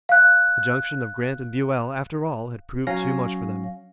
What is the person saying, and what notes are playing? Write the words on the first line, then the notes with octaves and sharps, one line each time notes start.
The junction of Grant and Buell, after all, had proved too much for them.
F5 F#6
F#3 C#4 F5 A#6